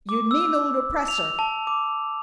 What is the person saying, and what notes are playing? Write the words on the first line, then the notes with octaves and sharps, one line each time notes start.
"You mean ole oppressor!"
D6
E6
F7
A5
D6